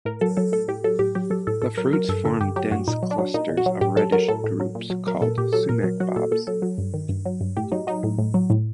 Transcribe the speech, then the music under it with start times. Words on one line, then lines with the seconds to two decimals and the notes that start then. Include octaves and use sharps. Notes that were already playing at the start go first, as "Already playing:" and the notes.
The fruits form dense clusters of reddish drupes called sumac bobs.
0.05 A2 A#4
0.21 F#3 A4
0.37 F#3 A4
0.52 A2 A4
0.68 A2 G4
0.84 F#3 A4
0.99 A2 G4
1.15 F#3 G4
1.30 F#3 A4
1.47 A2 A4
1.62 A2 A4
1.77 F#3 A#4
1.93 F#3 A#4
2.09 G2 A4
2.25 D3 A4
2.40 G2 G4
2.56 F#3 G4
2.71 G2 F#4
2.88 A#2 D#4
3.03 F#3
3.11 D4
3.18 F#3
3.34 A#2 D#4
3.49 A#2
3.57 F#4
3.66 F#3
3.81 A2 G4
3.96 F#3 A4
4.12 F#3 A#4
4.28 A2 A4
4.44 A2
4.60 F#3
4.75 A#2
4.90 F#3
5.07 F#3 A#4
5.22 A#2 A4
5.38 A#2 G4
5.53 F#3 A4
5.69 A#2 A#4
5.84 F#3
6.00 F#3 F#4
6.16 A#2 A4
6.31 A#2 A4
6.47 F#3 A4
6.62 F#3
6.78 G2
6.94 D#3
7.09 G2
7.26 F#3
7.41 G2
7.57 A2 G4
7.72 F#3 D#4
7.87 F#3 D#4
8.03 A2
8.18 A2
8.34 F#3
8.50 A2